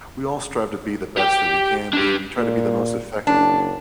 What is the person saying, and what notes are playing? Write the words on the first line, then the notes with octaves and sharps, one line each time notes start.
we all strive to be the best that we can be. We try to be the most effective,
G4 G5
D4 G4
A#2
F#1 D4